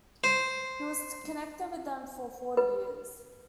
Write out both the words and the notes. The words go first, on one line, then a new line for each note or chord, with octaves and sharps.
He was connected with them for forty years.
C5
B4